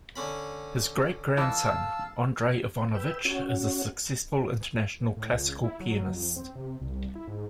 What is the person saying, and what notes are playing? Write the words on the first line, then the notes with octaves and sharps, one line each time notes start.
His great-grandson Andrei Ivanovitch is a successful international classical pianist.
D3 C#4 B5
E3 D#4 E4 F5 A5 E6
B4 G5 E6
C#4 F#4
A2
C#2
E4
F#3
F2
C4
C3
C2
E4
G#2